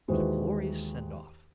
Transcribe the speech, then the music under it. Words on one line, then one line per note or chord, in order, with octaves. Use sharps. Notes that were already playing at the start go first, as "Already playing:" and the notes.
What a glorious send- off!
D#2 E3 G#3 F#4 B4 C5